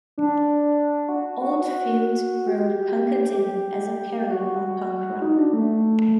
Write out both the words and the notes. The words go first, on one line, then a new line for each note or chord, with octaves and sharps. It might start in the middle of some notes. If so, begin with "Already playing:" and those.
Oldfield wrote "Punkadiddle" as a parody on punk rock.
D4
F#4
F#4
G4
G4
F#4
D#4
D4
A3